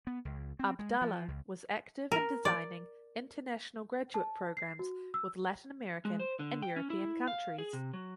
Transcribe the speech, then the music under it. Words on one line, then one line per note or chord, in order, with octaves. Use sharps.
Abdallah was active in designing international graduate programs with Latin American and European countries.
B3
C#2
C4
G#3
F3
C#2
A#4
D5
A5
C7
F#4
E6
G#3
C5
D3
G5
C#4
E4
F5
G#4
C3
F#3